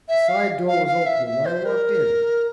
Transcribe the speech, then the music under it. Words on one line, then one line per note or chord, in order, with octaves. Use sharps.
The side door was open and I walked in.
E5
F5
F5
F5
E5
E5
C5
A#4